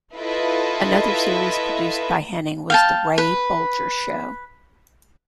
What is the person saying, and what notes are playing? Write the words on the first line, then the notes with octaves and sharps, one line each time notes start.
Another series produced by Henning was "The Ray Bolger Show".
E4 F4 A4 B4 D#5 E5
F5 G5 A5
B4